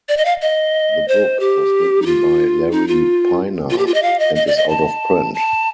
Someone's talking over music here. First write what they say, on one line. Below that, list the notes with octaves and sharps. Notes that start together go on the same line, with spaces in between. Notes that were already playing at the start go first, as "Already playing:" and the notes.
The book was written by Larry Pina and is out of print.
D5
D#5
F5
D#5
C5
G4
D#4
F4
D#4
F4
F4
G4
F4
D#5
F5
D#5
D#5
D5
D#5
A5
A5